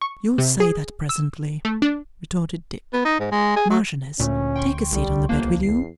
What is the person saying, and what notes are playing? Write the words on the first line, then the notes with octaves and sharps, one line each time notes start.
'You'll say that presently,' retorted Dick. 'Marchioness, take a seat on the bed, will you?
C#6
C3
G#4
E6
A3
D4
B3
D#4
G#2
G#3
G#4
F#3
D2 A#2 A3 C#4
G5 C6 C#6
C2 G3
G1 A#3 D4 C5
E2 C7